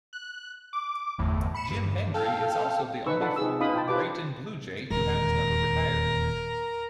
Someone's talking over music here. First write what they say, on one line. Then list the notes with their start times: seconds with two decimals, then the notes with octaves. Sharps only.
Jim Hendry is also the only former Creighton Bluejay to have his number retired.
0.13 F#6
0.73 D6
1.18 G1 E2 A2
1.54 B5 C#7 E7
1.70 G2
2.14 A4 F5 G5
3.06 D#4 B4 G#5 A#5 C#6 E6
3.20 D4 F4 A4 F#5 A5 B5
3.36 D#4 G#4 E6
3.60 C#4 D#4 F4 F5 B5 D#6
3.73 F4 G5 A5
3.88 F4 G4 B4 D6
4.90 D#1 E2 G#3 A#4